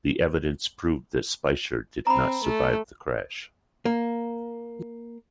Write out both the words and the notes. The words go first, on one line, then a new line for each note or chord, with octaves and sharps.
The evidence proved that Speicher did not survive the crash.
C4 A#5 B5
A3
A#3